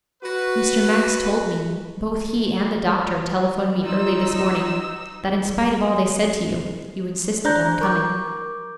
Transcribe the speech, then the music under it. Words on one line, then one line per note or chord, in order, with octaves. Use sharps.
'Mr. Max told me--both he and the doctor telephoned me early this morning--that in spite of all they said to you, you insisted on coming.'
F#4 B4
D#4 F4 E6
D4 C5 A#5 F#6 G6
A#4 C#6 D6 G6